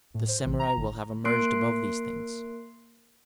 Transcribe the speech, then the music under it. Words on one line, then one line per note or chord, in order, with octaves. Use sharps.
The samurai will have emerged above these things.
A2
C5
A1
A#5
G1
A#3 A#4 C6 F#6 C7 D7